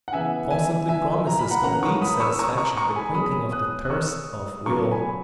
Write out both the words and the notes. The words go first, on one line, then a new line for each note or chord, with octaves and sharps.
It constantly promises complete satisfaction, the quenching of the thirst of will.
F#5
C#3 E3 B3 E5 G#5
E5 G#5
E5 G#5
A#5
B5
F#5 A#5
C#3 E3 A#3 C#4 F#5 A#5
A#5 C#6
B5 D#6
C#6 E6
A#5 C#6
A#5 C#6
A#5 C#6
G#5 B5
B2 G#3 C#4 B5 D#6
D#6 F#6
F#6
C#6 E6
C#3 F#3 B3 A#5 C#6
G#5 B5